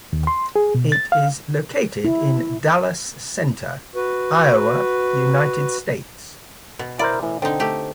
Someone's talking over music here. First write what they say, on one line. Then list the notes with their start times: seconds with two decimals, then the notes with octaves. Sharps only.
It is located in Dallas Center, Iowa, United States.
0.13 D#2
0.27 C6
0.56 G#4
0.75 B2
0.92 A6
1.12 F5
2.05 E4
3.95 F#4 B4
6.79 B2
6.99 E4 A#4 C5 D5
7.22 A2 E3
7.42 D3 C4 D#4
7.60 A3 G4